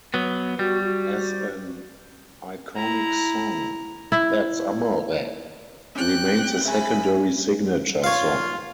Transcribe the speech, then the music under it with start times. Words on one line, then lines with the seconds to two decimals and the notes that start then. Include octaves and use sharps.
As an iconic song, "That's Amore" remains a secondary signature song.
0.14 F#3 B3
0.59 G3 F#4
0.84 F#4
2.76 E4 A#5
4.12 E4
5.96 C4 C#4 G5 F#6
6.65 C#3 E5 G#5 B5
8.04 F4 C#5 F5